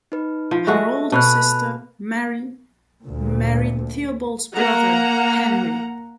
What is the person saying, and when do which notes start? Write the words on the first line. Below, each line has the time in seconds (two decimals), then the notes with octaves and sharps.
Her older sister, Marie, married Theobald's brother, Henry.
0.12 D#4 B4
0.51 F3
0.67 G#3 A3 F#4 E5
1.12 B2 A5 B5 F#6
3.02 D2 A#2
4.55 A#3 F#5 A#5